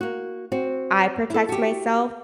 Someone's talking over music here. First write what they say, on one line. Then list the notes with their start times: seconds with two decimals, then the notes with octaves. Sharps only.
I protect myself.
0.01 A#3 F#4
0.52 C4 F#4
1.30 E4 A4
1.49 F#4 G4